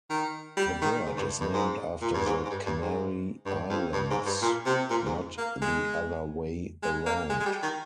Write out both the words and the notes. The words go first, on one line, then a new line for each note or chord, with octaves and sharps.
The bird is named after the Canary Islands, not the other way around.
D#3
G3
D#3
G#2
G2
G2
G#2
A#2
G2
G#2
G#2
G2
G2
G#2
G2
F2
G2
G#2
G2
A#2
C3
A#2
G#2
A#3
G#3
G#3
A#3
G#3
G#3
G3
D#3